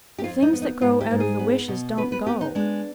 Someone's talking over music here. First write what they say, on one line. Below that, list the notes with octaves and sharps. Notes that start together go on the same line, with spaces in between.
'The things that grow out of the wishes don't go.
G4
F2 F4
D#4
B3
D#4
G#2 F4
G4
G#2
G#4
B3
B2
B3 B4
B4
B3 G4
D#4
G#3 D4